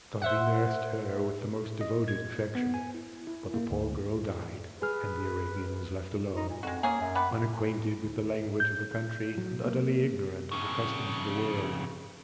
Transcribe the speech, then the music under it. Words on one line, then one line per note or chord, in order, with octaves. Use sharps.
Safie nursed her with the most devoted affection, but the poor girl died, and the Arabian was left alone, unacquainted with the language of the country and utterly ignorant of the customs of the world.
C5 E5 F#5
D#5
G#6
B3
G#5
E4
E4
A#3
D2
G#4 B4 F6
D#4
A#2
F2 G#3 F#4
A#3 C#4 G#4
F#2
B3 G4 B4
D2
G6
F#3
A#3
F2 C#3